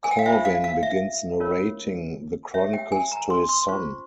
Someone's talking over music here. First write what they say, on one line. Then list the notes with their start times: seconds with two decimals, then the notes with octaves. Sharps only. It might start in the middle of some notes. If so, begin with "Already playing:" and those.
Corwin begins narrating the Chronicles to his son.
0.04 G#5
0.11 G5
0.19 F5
0.26 F4 C5 E5
0.45 F5
0.64 F5
0.83 E5
1.40 C#4 F4 A#4 C#5
2.54 G4 C#5 E5
2.73 G5
2.92 G#5
3.12 A#5
3.30 C6
3.49 C6
3.68 C#4 F4 C5 C#6